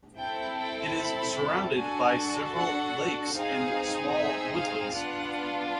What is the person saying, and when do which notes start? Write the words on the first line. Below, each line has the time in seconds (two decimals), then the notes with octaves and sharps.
It is surrounded by several lakes and small woodlands.
0.18 C4 E4 A4 G5
0.58 G5
0.98 B5
1.76 D4 F#4 A4 G#5
2.56 F#5
3.35 C4 D#4 G#4 F5
4.14 E5
4.54 F5
4.93 B3 D4 F4 F#5